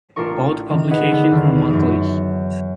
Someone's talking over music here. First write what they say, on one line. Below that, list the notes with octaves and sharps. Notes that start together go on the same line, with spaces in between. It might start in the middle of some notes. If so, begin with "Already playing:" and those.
Both publications were monthlies.
A1 D4 F4 A#4 C#6
D#3 E3
G#4 B4 D#5 F#5
D3 B3 B4 B5 F#6
E2 D3 D#3
F#2 E3